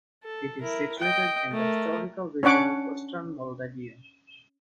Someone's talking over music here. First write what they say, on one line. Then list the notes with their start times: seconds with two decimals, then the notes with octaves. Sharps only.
It is situated in the historical region of Western Moldavia.
0.24 A4
0.62 E4 A#4
0.99 D#5 G5
1.52 A3 A#4
2.43 C#4 D4 C#5 F#5 D6